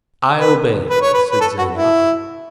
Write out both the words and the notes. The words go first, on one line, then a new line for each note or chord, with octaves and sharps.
"I obey," said Zadok.
B4
B4
C#5
B4
B4
A4
F#4
E4